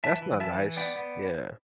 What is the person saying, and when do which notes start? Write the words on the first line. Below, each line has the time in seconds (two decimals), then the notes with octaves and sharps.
That's not nice. Yeah.
0.04 E3 E5 A5
0.22 E3
0.40 E3 E5 A5
0.58 E3
0.77 B3 D5 G5
0.96 B3